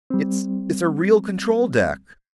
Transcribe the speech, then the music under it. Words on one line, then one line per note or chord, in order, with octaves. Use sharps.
"It's--it's a real control deck!"
G3 C4